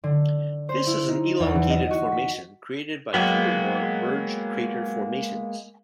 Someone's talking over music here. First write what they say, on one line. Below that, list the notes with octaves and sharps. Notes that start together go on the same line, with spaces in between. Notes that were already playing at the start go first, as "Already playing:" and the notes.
This is an elongated formation created by two or more merged crater formations.
D3
C5
E4
D#4
E2
E3
D#5
F#4
B6
F#3 G#3 A#3 B3 F#5 G5